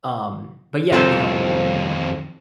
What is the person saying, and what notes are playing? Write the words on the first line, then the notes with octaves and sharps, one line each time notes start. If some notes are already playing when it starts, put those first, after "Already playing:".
Um, but yeah, you know,
F2 C3 D#3 G3 C4 F4 A4 C5